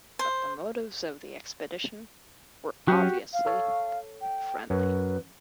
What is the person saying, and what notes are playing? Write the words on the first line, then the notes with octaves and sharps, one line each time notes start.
But the motives of the expedition were obviously friendly.
C5
F#3 C#4 F#4 G4
F5
A4 C#5
G5
F#2 F#3 B4 G#5